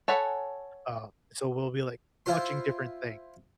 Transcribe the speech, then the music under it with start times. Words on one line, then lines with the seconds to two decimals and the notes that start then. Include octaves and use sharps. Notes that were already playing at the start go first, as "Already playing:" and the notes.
um, so we'll be, like, watching different things,
0.08 A4 C#5 F#5 G#5 B5
2.26 E4 F4 C5 C6